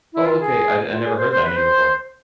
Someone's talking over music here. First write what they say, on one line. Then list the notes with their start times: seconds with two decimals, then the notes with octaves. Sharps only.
Oh, okay, I'd I never heard that name before.
0.13 E4
0.26 F4
0.39 G#4
0.91 F4
1.04 G#4
1.17 C5
1.30 C5
1.44 B4
1.56 C5